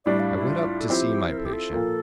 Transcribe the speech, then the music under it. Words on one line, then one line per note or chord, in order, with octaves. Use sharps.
I went up to see my patient.
A2 G3 D4 D5
F5
E4
F4
A4
F3 C4 E4 G4
A#4
A4
G4
A4
A#2 F3 A#3